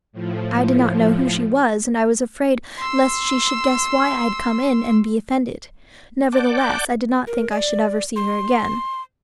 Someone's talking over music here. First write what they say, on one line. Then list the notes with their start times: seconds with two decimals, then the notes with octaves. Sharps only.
I did not know who she was, and I was afraid lest she should guess why I had come in and be offended. Nevertheless, I did not think I should ever see her again.
0.13 A2 F3
2.79 C6 E6
6.32 D5 F#5 A5 D6 G6
7.27 A#4
7.51 D5
8.16 C6